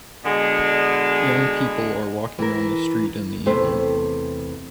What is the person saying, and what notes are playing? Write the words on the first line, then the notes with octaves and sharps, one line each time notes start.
Young people are walking on the street in the evening.
B2 D3 G#3
E3 A#4
E2 C3 A3 C5